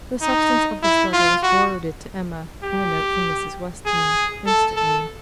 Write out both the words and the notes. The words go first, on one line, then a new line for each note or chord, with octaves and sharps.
The substance of this letter was forwarded to Emma, in a note from Mrs. Weston, instantly.
D#4
E4
F4
F#4
G4
G#4
A4
A4